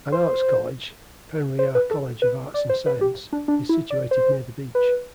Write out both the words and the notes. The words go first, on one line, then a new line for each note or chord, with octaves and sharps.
An arts college, Periyar College of Arts and Science, is situated near the beach.
C5
C5
B4
A4
B4
D5
C5
B4
G4
D4
D4
E4
D5
C5
B4